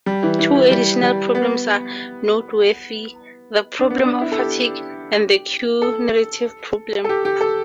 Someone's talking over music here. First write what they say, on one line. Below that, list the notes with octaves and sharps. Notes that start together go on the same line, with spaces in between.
Two additional problems are noteworthy, the "problem of fatigue" and the Q narrative problem.
G3
E3
E3
E3
G3
G3
B3
D4
B3
D4
E4
A4
G4
A4
A4
G4
G4
A4